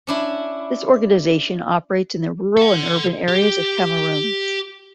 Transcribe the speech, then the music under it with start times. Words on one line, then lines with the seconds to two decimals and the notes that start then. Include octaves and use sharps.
This organisation operates in the rural and urban areas of Cameroon.
0.07 C#4 D4 E4
2.57 A4 F#5
3.29 G4